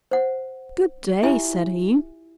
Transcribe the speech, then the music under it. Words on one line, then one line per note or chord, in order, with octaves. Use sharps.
"Good day!" said he.
C5 F#5
E4 F4 G4 E5 G#5